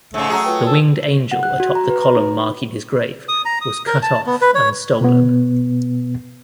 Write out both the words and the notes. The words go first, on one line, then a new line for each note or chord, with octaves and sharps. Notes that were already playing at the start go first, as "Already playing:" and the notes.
The winged angel atop the column marking his grave was cut off and stolen.
G#2 C#3 A3
F#3 F#4 G#4 F#5 A#5 E6
F4 B4 G5
A4
F#5
F#6
F#4
A#5
B4
A#5
D#4
B5
D#6
A#5
D#6
A#4
A5
B3
B4
C#5
B2 B3